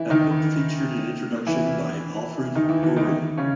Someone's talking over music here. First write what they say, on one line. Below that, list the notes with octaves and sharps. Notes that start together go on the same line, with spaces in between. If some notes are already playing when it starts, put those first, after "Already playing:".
That book featured an introduction by Alfred Uhry.
Already playing: E3 E4
D#3 D#4
E3 E4
D#3 D#4
E3 E4
E3 E4
D#3 D#4
C#3 C#4